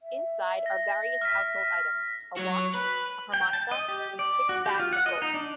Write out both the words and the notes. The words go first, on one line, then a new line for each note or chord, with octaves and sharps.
Inside are various household items, a watch, a harmonica, and six bags of gold.
E5
A#6
F6 B6
F#4 C#5
B4
G5
A5
D#5
G4
D5
F#4
G4
F4
F#5
D#5
D#4
D4